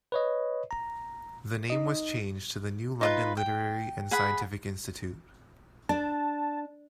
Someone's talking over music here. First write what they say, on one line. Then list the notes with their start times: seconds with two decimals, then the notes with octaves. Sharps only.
The name was changed to the New London Literary and Scientific Institute.
0.12 B4 C#5 D#5
0.71 A#5
1.70 D#4 D#5
3.01 D#4 F4 B4
3.37 G5
4.11 G#4 F#5 B5
5.89 D4 A5